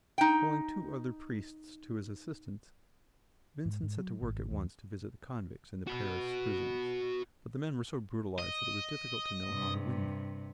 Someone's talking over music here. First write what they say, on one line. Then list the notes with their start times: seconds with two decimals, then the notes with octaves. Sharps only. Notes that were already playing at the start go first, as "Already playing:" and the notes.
Calling two other priests to his assistance, Vincent set to work at once to visit the convicts in the Paris prisons; but the men were so brutalized that it was difficult to know how to win them.
0.18 D#4 G5
3.65 G#2
3.83 G#2
3.97 F#3
4.21 G#1
4.51 D#2
5.87 F#4 B5
8.38 D#5
9.48 G2 C3